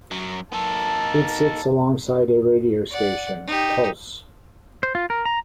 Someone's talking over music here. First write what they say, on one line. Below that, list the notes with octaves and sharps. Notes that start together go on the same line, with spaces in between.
It sits alongside a radio station, Pulse!
F#2 F#3
A#3 D#4 A4 A5
D5 F#5
D#4 G4
C5
F4
A#4
A#5